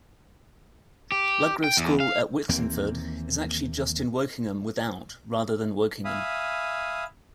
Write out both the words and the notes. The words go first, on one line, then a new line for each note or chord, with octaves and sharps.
Ludgrove School at Wixenford is actually just in Wokingham Without, rather than Wokingham.
G4
G5
E2
F5
D#2 E3 A#3 C4
E5 F5 G#5 B5 D#6